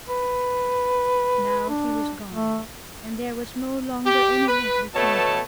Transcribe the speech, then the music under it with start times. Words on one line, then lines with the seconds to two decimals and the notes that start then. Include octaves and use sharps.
Now he was gone, and there was no longer any link between them.
0.09 B4
1.69 D4
2.30 A3
4.06 G4
4.47 B4
4.95 B2 A3 B3 C#5 A5